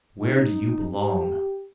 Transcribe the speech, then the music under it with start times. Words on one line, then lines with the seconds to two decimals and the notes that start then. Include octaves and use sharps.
Where do you belong?
0.20 D#4
0.88 G4